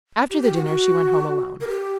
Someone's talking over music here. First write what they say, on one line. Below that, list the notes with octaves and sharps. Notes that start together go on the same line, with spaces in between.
After the dinner she went home alone.
G4
G4
F#4
F#4
A#4
G4